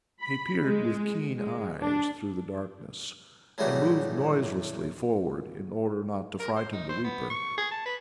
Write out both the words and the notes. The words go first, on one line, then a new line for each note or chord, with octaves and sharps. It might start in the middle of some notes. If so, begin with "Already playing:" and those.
He peered with keen eyes through the darkness and moved noiselessly forward, in order not to frighten the weeper.
B5
G#3
G#3
D4
A2 C#3 E3 F#3 G3 F#4
A#4
C5
D#4
C5
B3
C#6
G#4
A5
B4